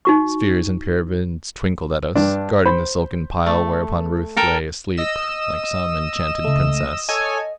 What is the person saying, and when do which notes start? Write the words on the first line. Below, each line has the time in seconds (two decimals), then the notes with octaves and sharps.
Spheres and pyramids twinkled at us, guarding the silken pile whereon Ruth lay asleep--like some enchanted princess.
0.05 D#4 F#4 C#6
2.15 G2 D4
2.65 C5 B5
3.46 A3
4.37 A4 A#4 G5
4.97 D#5 E6 E7
6.44 C#2 A3
7.09 A4 C#5 D#5 G#5